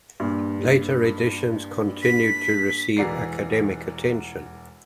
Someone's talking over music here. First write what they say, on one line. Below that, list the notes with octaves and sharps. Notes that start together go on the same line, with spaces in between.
Later editions continued to receive academic attention.
G2 A#2
B6
E1 E3 F#4 D5 A#5 C7